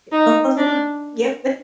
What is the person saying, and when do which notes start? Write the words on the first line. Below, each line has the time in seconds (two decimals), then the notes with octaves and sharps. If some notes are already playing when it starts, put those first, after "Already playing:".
Ye "Go close that door." Yep.
0.12 D#4
0.57 D4